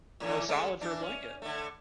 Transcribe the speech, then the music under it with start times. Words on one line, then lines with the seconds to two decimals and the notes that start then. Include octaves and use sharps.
Oh, solid for a blanket.
0.20 A2 D3 E3
0.48 G#3 A3 C#4
0.81 E3 D4
1.02 C#4
1.42 D3 A3